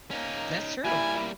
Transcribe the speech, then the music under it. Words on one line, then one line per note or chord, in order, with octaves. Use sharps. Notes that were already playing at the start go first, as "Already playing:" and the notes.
That's true.
A#3 C#4 D#4
G3 A#3 E4 G#5